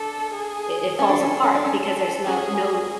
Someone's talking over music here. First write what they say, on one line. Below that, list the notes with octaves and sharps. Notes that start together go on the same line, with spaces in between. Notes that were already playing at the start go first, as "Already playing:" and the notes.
i it falls apart because there's no no
Already playing: D4 A4
G#4
C#4 A4
D4
C#4
D4
C#4
D4
C#4 A4
C#4 G#4